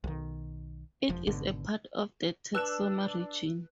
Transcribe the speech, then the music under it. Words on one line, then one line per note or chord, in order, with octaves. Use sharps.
It is a part of the Texoma region.
B1 D#3
E1 F3
G#1 B2 D3
D4 B4 A5 E6 F#6 E7